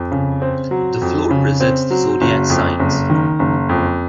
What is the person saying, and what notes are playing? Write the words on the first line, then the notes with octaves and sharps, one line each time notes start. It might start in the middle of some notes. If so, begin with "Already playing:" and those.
The floor presents the zodiac signs.
Already playing: F2
C#3
C4
F#3
F2
C#3
C4
F#3
F#1
F2
F#1
D#3
F#1
F2